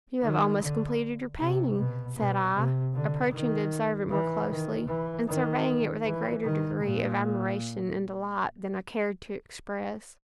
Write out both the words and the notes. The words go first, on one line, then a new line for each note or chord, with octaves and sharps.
'You have almost completed your painting,' said I, approaching to observe it more closely, and surveying it with a greater degree of admiration and delight than I cared to express.
D#3
D3
C3
B2
B2
C3
D3
D#3
E3
D#3
E3
D#3
E3
D#3
A#2